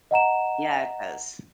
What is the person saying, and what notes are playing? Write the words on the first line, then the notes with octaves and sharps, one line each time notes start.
Yeah, it does.
D#5 F#5 A#5 E7